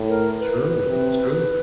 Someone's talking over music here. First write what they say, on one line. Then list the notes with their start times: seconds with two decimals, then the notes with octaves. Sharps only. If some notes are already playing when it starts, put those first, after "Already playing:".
True, true,
Already playing: A2
0.09 A#4
0.40 B4
0.87 C3